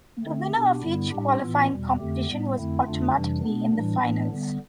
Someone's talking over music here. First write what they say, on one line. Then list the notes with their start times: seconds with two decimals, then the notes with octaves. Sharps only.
The winner of each qualifying competition was automatically in the finals.
0.23 D3 A3 C4
0.53 B2 B3 D4 G4
0.81 G2 D3 G3 B3 E4
1.10 A2 G3 D4 G4
1.39 A2 E3 B3 F4
1.68 E2 B2 G3
1.97 F2 D3 A3 C4 G4
2.26 A2 G3 B3
2.55 F2 D3 A3 C4 E4
2.84 F2 D3 A3 D4 F4
3.13 F2 C3 E3 G3 D4
3.42 B2 B3 D4
3.71 A2 E3 G3 D4
4.00 A2 E3 B3 D4
4.28 D3 G3 B3